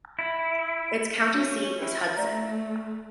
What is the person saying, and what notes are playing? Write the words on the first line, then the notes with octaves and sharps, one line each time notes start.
Its county seat is Hudson.
E4
C#4 F#4
C#4 E4 F#4 C#5
A3 D5 E5 A#5